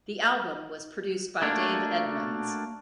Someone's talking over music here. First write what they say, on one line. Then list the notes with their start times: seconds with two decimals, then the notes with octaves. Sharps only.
The album was produced by Dave Edmunds.
1.42 A3 A#3 D4 F#4 C#5